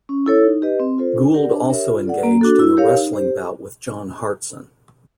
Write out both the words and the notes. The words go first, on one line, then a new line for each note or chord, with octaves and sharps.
Gould also engaged in a wrestling bout with John Hartson.
C#4
E4 A4 C#5
D#4
G4 B4 D#5
C4
F4 A4 C5
D4
G4 A#4 D5 F#5
D4
G4 A#4 C#5 E5
F4
A4 D5 F#5
A#3
D4 F#4 A4
E4
G4 A#4 C#5 F5
D#4
G4 C5